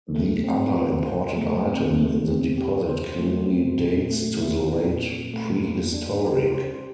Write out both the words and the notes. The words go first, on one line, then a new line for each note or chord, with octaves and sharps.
The other important item in the deposit clearly dates to the late prehistoric.
A3
C4
F4
C5
A3
C4
A3
C4
G4
C5
A3
C4
A#2
A3
E4
A#2
A#2
A3
A#3
D4
G4
C5